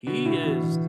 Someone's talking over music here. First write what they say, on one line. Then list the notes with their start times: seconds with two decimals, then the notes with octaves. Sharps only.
he is
0.07 B2 D3
0.25 A2 E4
0.43 B2 E3
0.62 E3